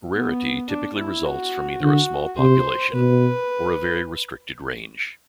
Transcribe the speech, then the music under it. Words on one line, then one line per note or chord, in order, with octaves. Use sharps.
Rarity typically results from either a small population or a very restricted range.
B3
D4
E4
F#4
D3 F#4
C3 C5
B2 B4